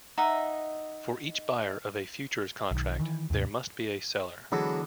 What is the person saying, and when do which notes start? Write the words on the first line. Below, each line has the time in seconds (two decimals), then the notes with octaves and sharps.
For each buyer of a futures contract there must be a seller.
0.18 D#4 D#5 E5 F#5
2.71 B1 D#3
2.99 D#3 E3
3.30 D#2 G#2 C3
4.52 D3 E3 F#3 G#3 B3 A4